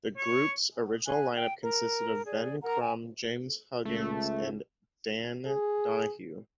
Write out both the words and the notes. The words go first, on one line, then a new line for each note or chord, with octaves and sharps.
The group's original lineup consisted of Ben Crum, James Huggins and Dan Donahue.
C#5
G#5 F#6
G5
A#4
G#4 D5
A#4 F#5 A#5
G5 G#5
C#2 A3
G#4